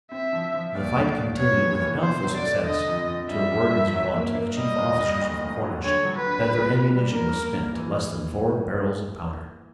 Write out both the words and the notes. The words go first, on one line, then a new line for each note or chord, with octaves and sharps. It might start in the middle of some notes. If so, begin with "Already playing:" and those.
The fight continued with doubtful success, till word was brought to the chief officers of the Cornish, that their ammunition was spent to less than four barrels of powder.
C4 E5
F3
F3
D#2 D5
F#3
D#2
B3 C#5
B3
E3
B2 C5
F#3
D5
A3
D3 D#5
F2
F2
G3 E5
G3
G2
F#3
A#3
A#3
G3 D#5
D#2
G3
D2
D2
F#3
D3 C#5
F#3
B4
D3
A#2
A#2
G3
A#3 A#4
A#3
A#3
E3